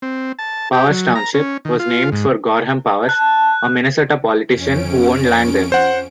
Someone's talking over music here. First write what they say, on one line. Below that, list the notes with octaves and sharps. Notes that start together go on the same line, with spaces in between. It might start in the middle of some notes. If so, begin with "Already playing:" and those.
Powers Township was named for Gorham Powers, a Minnesota politician who owned land there.
C4
A5
G4
F#3
A#5
C#4
D#3
F4
G#2
A5 F#6
F2 C#4 D7
C5 F#5